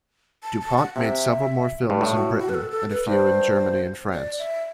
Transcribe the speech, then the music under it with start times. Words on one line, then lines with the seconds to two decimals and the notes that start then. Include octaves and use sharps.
Dupont made several more films in Britain and a few in Germany and France.
0.43 A5
0.61 A5
0.78 F#5
0.96 C3 E5
1.90 G2
2.01 A2
2.15 F#4
2.40 F#4
2.49 B4
2.54 A4
2.71 A4
2.90 B4
3.07 G2 C5
4.13 D5
4.39 E5